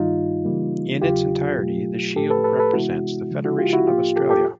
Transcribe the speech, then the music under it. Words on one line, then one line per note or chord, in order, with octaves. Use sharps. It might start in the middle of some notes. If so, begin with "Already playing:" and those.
In its entirety the shield represents the federation of Australia.
Already playing: G2 D#3 G3 D#4 F4
C#3 E3 G3 A#3
E2 C#3 F#3 F4 G4
B2 F#3 A3
A2 F3 A3 G4 A4
A4 B4
A4 B4
A4 B4
C3 E3 G#3 B3 E4 F#4
C#3 F3 G#3
E4 F#4
F4 G4
E4 F#4
A2 F3 A#3 F4 G4
G4 A4
G4 A4